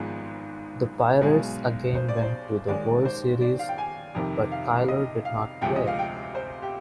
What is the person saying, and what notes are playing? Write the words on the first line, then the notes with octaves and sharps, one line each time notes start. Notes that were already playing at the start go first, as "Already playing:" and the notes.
The Pirates again went to the World Series, but Cuyler did not play.
Already playing: G#1 G#2 F3 G#3 B3
B1 B2 G#3
C5
D5
C5
D#2 D#3 G#3 D5
C5
D5
F5
G5
G#5
F2 C3 D#3
F5
D#5
F5
D2 C3 F3 G#3 G5
D#5
F5
G5
C5
G4